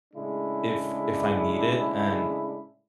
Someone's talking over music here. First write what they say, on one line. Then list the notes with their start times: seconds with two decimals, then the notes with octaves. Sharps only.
if if I need it, and
0.14 A2 C#3 G#3 D4 E4